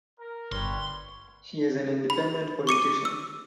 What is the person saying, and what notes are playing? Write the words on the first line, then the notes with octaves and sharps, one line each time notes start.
She is an Independent politician.
A#4
G1 G3 B4 C#5 C6
B5
C#6 D6 C#7 D#7
E6